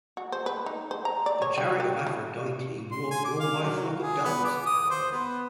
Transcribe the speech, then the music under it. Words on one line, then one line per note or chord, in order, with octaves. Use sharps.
The chariot of Aphrodite was drawn by a flock of doves, however.
F#4
C5
B4
D#4
C5
A#5
D5
C#5
G3
G4
E4
C6
G#5
D6
F5
F#3
G#4
B3
D6
D#6
C5
B3